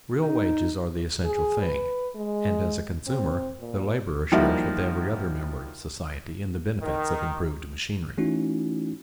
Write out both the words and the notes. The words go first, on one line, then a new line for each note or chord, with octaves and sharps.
Real wages are the essential thing, and as a consumer the laborer shares with every other member of society in the benefits of improved machinery.
D#4
G#4
B4
G#3
C4
A#2
D#3 F3 G3 A#3 E4 F#4
D#3
E3 A3 C#4 D#4 E4 F#4